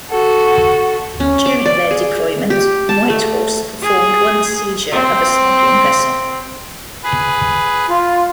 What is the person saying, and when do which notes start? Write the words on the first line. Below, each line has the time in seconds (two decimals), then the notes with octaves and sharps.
During their deployment, "Whitehorse" performed one seizure of a smuggling vessel.
0.10 F#4 A4
1.20 C#4
1.46 D6
1.66 D5
1.91 G#4
2.50 G4
2.89 A5
3.10 A3
3.83 G#4
4.92 C4
7.04 G#4 B4
7.88 F4